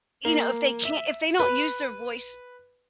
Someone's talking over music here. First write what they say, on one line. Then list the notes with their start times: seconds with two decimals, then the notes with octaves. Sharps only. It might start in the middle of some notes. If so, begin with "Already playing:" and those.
you know, if they can't if they don't use their voice
0.25 A#3
0.85 E5
1.40 B4